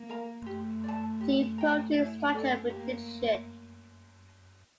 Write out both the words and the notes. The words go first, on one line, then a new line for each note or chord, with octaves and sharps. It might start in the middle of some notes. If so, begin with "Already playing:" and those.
See protein structure prediction.
Already playing: A#3
A#4 F5 A#5
A3 G4
D5 A5
G4
C5 G5 A#5
E4
A4 D5 G5
A#3 G4